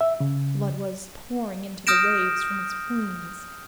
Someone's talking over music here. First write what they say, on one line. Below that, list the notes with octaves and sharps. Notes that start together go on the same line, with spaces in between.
Blood was pouring into the waves from its wounds.
E5
C#3
D#6 F6 G6 A#6 D7 E7